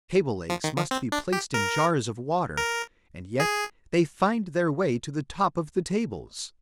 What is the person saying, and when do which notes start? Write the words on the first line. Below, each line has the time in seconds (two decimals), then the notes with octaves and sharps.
Table legs must be placed in jars of water and yet they find their way to the top of the tables.
0.50 F3
0.64 D#3
0.77 F3
0.91 C4
1.12 D4
1.33 G4
1.54 A#4
2.57 A#4
3.40 G#4